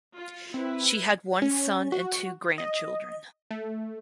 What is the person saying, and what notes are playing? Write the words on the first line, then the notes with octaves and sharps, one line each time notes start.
She had one son and two grandchildren.
F4
C4 E4 B4
C#4
F#4
D#5
A3